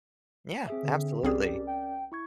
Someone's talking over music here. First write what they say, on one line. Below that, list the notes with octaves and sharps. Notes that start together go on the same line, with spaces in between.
Yeah, absolutely.
C4 G#4 E5
D3
C2 C4 C#4 G4 G#4 A#4 D5
G5
E4 C#6 G#6